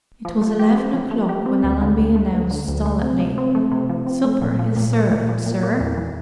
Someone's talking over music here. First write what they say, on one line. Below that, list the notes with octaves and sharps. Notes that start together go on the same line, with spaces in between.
It was eleven o'clock when Allenby announced stolidly, "Supper is served, sir!"
F3
A3
G4
C4
F3
A3
G4
C4
D2
D3
D2
A3
D2
D3
D2
A3
C3
F3
C4
A3
C3
F3
C4
A3
A#2
F3
A#2
A#3
A#2
F3
A#2
A#3
E2
E3